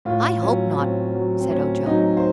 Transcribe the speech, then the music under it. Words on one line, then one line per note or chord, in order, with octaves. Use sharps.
"I hope not," said Ojo.
A2 F4
F#3 C#4
A2 C4
F#3
C4
A2 C#4
F#3 D#4
C5